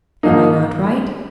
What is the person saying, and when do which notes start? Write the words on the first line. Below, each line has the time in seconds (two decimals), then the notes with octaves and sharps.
Am I not right?
0.23 G#2 F3 A#3 D#4